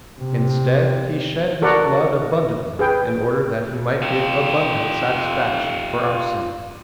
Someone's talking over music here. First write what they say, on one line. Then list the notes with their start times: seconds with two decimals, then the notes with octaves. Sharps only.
Instead, He shed His blood abundantly in order that He might give abundant satisfaction for our sins.
0.20 C3
1.62 F#4 A4 A#4 D5 F#5
2.79 G#4 B4 G5
4.02 F4 G4